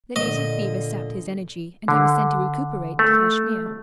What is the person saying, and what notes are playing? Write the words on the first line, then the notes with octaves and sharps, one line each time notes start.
The native fever sapped his energy, and he was sent to recuperate, to Kashmir.
A#2 D3 D#5
D3
A3